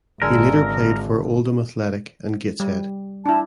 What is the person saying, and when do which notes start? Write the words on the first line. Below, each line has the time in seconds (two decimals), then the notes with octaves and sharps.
He later played for Oldham Athletic and Gateshead.
0.22 G#1 D3 G#4 A#4 E6
2.60 G3
3.26 D4 E4 A5